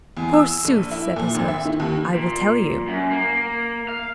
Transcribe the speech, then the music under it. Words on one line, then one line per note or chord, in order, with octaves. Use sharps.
Forsooth, said his host, I will tell you.
E2
E6
A#1
E4
A#2
G#1
E5
D#3
D#2
A#2
F#2
A#3
F5